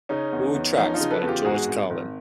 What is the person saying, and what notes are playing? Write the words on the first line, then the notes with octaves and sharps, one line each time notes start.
All tracks by George Carlin.
C#3 C#4 D#4
E2
E2
F3 C#4 D#4
D#4 F4
C#3
A4 B4
E2
F4 G4
G#2 F#4 G#4
G#1
G#1